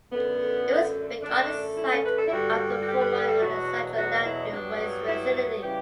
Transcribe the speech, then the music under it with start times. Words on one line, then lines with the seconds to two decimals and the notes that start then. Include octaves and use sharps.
It was built on the site of the former Alexandria Landfill waste facility.
0.11 F#2 D3 A3 B3
1.21 F#2 D3 A3 D4
1.76 E4
1.90 C#4
2.04 B4
2.17 A4
2.27 E4
2.31 G2 D3 G3 F#4
2.81 F#4
2.86 G4
3.00 B4
3.14 B4
3.28 A4
3.41 E2 B2 F#3 B3 F#4
3.97 F#4
4.24 E4
4.51 G2 F#3 B3 D4
5.07 E4
5.62 C#3 E3 G3 G4